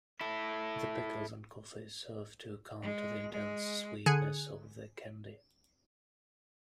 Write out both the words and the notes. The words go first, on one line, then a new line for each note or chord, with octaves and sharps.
The pickles and coffee serve to counter the intense sweetness of the candy.
E4 A4
G#3
G#3
D3 G#4 G#5 F#6 G#6 C#7